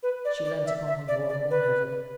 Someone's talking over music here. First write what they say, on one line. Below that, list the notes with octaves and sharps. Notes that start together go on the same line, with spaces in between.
She leant upon him more and more heavily.
B4
D5
D5
E5
E5
D5
D5
B4